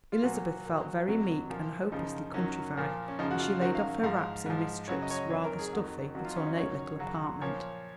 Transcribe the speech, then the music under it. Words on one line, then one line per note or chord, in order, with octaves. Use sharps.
Elizabeth felt very meek and hopelessly countrified as she laid off her wraps in Miss Tripp's rather stuffy but ornate little apartment.
F4
A#2 F#3 F#4
A#2 F#3
F2 C3 F#3
A#2 F3
F#2 C#3 F3 D#4
F#2 D#3 F#3 C#4
A#2 F3
C#4
F#2 C#3 F3 D#4
F#4
F4
F#2 D#3 F#3 F#4
F5
G#2 F3 F5
G#2 F3
F#2 C#3 F#3 C#5
D#5
C#5
D#5
F2 D#3 F#3 C#5
A#4
G#4
F2 D#3 F#3
F2 D#3 F#3 F#4
F4
C#4
D#4
F#2 D#3 F#3 C#5
F#2 C#3 F#3
A#2 F3 C#5